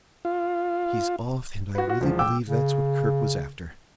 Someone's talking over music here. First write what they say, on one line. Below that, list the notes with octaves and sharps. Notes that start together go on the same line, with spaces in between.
"She's off, and I really believe that's what Kirk was after."
F4
F#4 B4
F4 F#4
E1 F3
G5 D6 E6
C#3